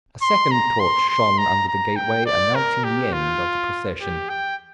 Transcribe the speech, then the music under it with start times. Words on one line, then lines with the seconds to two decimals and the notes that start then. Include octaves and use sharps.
A second torch shone under the gateway, announcing the end of the procession.
0.22 C6
0.51 A#5
0.79 C6
1.09 C6
1.38 A#5
1.68 A#5
1.96 G5
2.26 D5
2.55 A#4
2.84 G4
3.13 F4
4.01 G4
4.30 G5